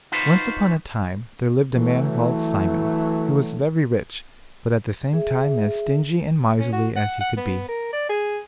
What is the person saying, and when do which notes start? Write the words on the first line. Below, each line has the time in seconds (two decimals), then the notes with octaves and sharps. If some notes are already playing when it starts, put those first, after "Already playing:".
Once upon a time there lived a man called Simon, who was very rich, but at the same time as stingy and miserly as he could be.
0.12 D#4 F4 F#4 B4 C5
1.74 E3 F#3 A3
5.13 G#4 E5
6.60 C#4
6.73 F#4
6.96 F#5
7.21 F#5
7.37 B3
7.69 A#4
7.93 D5
8.09 G#4